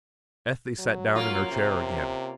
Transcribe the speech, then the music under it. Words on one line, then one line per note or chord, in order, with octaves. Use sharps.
Ethne sat down in her chair again.
F#3
A#3 C#4 F4
C3